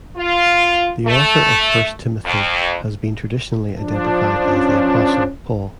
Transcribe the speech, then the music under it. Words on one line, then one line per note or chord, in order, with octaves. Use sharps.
The author of "First Timothy" has been traditionally identified as the Apostle Paul.
F4
A3
F2
F3 D4
C#4